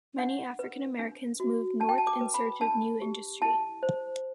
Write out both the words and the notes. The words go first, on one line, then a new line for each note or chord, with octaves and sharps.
Many African Americans moved north in search of new industry.
D4 F#5
B4
D4
F#4
D4 A5
G5
A5
D6
B4
B5
D4 A5
G4
E4 A5
C5